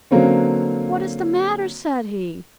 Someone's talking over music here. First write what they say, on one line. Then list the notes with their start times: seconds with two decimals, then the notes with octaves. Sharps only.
"What is the matter?" said he.
0.11 D3 F#3 A#3 C4 C#4